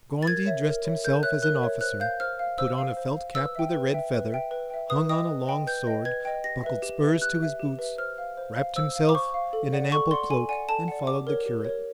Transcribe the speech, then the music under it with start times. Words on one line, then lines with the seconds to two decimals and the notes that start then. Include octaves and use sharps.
Gondy dressed himself as an officer, put on a felt cap with a red feather, hung on a long sword, buckled spurs to his boots, wrapped himself in an ample cloak and followed the curate.
0.23 A6
0.27 A#4 G#6
0.46 C#5 E5
0.66 A#4
0.85 C#5 E5
1.04 A#4 G6
1.23 C#5 E5 F#6
1.42 A#4 F#6
1.62 C#5 E5
1.81 C5 F#6
2.00 F5 G6
2.20 C5 F6
2.39 F5
2.58 C5 E6
2.78 F5
2.97 C5
3.17 F5
3.35 B4 E6
3.55 E5 G5
3.74 B4
3.94 E5 G5
4.13 B4
4.32 E5 G5
4.51 B4
4.70 E5 G5
4.90 B4 D#6
5.09 D#5 G5 D#6
5.29 B4
5.47 D#5 G5
5.67 B4 G6
5.87 D#5 G5
6.05 B4 G#6
6.25 D#5 G5
6.44 G4 A#6
6.64 B4 E5
6.82 G4
7.02 B4 E5
7.22 G4 F#6
7.40 B4 E5
7.59 G4
7.79 B4 E5
7.98 C5 F6
8.18 F5
8.37 C5
8.56 F5
8.76 C5 E6
8.95 F5
9.09 D6
9.14 C5 C#6
9.34 F5
9.53 A4
9.73 D5 F#5
9.92 A4 C#6
10.11 D5 F#5 C6
10.30 A4 G#5
10.49 D5 F#5 G#5
10.69 A4 A5
10.88 D5 F#5
11.07 G4 D6
11.27 A#4 C#5
11.46 G4
11.65 A#4 C#5